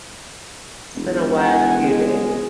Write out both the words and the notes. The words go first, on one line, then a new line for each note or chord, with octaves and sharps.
it's been a wild few days.
E1
F#5 G#5
G#3